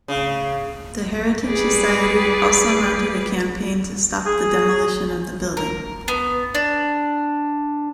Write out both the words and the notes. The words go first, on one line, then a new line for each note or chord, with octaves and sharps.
The Heritage Society also mounted a campaign to stop the demolition of the building.
C#3
G3 G#4 B4 D5
G#4
A#4
B3
D4